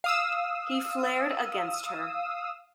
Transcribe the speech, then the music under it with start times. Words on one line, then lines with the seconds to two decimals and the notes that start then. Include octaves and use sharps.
He flared against her.
0.04 F5 D#6 E6